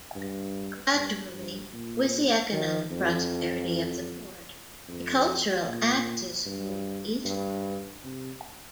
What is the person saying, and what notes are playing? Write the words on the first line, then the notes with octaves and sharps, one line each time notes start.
Gradually, with the economic prosperity of the port, the cultural axis moved eastward.
G2
G2
G2
A#2
D#3
F2
F2
A#2
G2
G2
C3